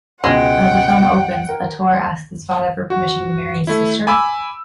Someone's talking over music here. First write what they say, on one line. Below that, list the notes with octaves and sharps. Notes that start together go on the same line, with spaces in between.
As the film opens Ator asks his father for permission to marry his sister.
C#2 B2 G#3 F#5 G5
A#4
F#4
A3 E4
G#5 B5 D6 E6